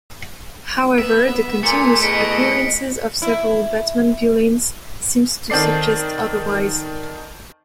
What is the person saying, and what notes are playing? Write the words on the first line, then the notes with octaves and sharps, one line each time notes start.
However, the continuous appearances of several Batman villains seems to suggest otherwise.
B3 E5
A#2 A3 G#4 C#7
E2 D#5 B6 C#7 D7
E4
D#3 C4 A4 D5 C7